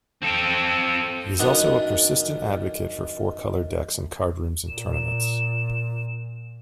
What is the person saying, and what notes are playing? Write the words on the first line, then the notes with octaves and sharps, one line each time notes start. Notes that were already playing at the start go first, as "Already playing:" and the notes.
He is also a persistent advocate for four-color decks in card rooms and tournaments.
C4 A4
F#2 D#3 B3 D4 F#5 A#5
A#2 E7